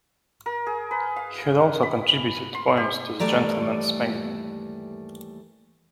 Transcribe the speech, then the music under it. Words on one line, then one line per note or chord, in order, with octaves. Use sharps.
He had also contributed poems to the "Gentleman's Magazine".
A#4
G#4
B4
F5
B5
C6
G4
D#2 E3 G3 A3 D5 A#5